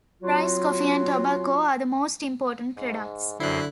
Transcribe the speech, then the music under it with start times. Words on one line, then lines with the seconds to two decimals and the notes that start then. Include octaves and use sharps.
Rice, coffee and tobacco are the most important products.
0.22 F#3 C4 F4 F#4
2.77 G#2
3.40 C2 F#2 D3 E4 C6 F#6